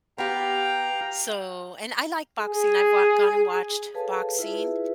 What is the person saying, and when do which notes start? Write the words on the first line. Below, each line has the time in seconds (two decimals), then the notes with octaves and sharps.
So, and I like boxing, I've wa gone and watched boxing,
0.18 B3 G4 F5 G5 A#5
2.40 G#4
3.94 G#4 A4 B4 C#5 F5 A5
4.39 E4 F4 G#4 B4 E5